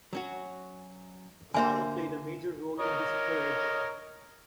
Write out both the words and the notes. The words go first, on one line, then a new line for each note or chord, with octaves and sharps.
Asada played a major role in this purge.
F#3 C#4 F#4
D3 A#3 C5 E5 G#5
A#4 C#5 D#5